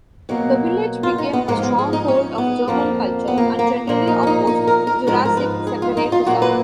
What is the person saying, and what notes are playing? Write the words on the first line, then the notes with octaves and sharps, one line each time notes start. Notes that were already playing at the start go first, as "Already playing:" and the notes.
The village became a stronghold of German culture and generally opposed Jurassic separatism.
B2 F#3 A#3
F4
D#4
B3
G#2 F3 G#3 A#3
B3
G#4
D#4
C#4
B3
F2 F3 A#3
B3
A#3
A#3
A#2 F3 A#3
D#4
C#4
D#4
D#4
A#4
A#4
G#2 F3 G#3 A#4
A#4
B4
G#4
F4
D#4
F4
A#2 F#3 A#3 F#4
B4